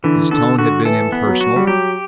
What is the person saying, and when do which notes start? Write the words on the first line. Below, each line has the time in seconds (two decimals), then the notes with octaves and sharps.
His tone had been impersonal.
0.04 D3 E3
0.31 D3 A4
0.58 D3 F#4
0.85 E3 A4
1.12 B3
1.27 F#3
1.41 F#4
1.56 G3
1.67 F#3 G4